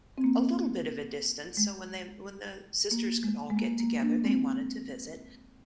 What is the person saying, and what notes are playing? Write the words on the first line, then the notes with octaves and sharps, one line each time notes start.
a little bit of a distance, so when they when the sisters could all get together, they wanted to visit,
C4
A#3
G#3
A#3
G#3
G#3
A#3
A#3
A#3 D4
G#3 C4